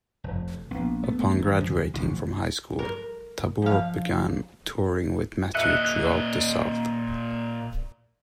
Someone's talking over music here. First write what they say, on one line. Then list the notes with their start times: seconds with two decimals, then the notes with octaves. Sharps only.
Upon graduating from high school, Tabor began touring with Matthew throughout the south.
0.24 F1 F2
0.71 A#1 B3
1.03 A3 B3
1.35 D#3 E3
1.56 D2 C3 F3
1.94 A1 D2 C3 F3
2.79 A#4
3.62 F3 F5
5.55 A#2 D#5 E5 F#6 C#7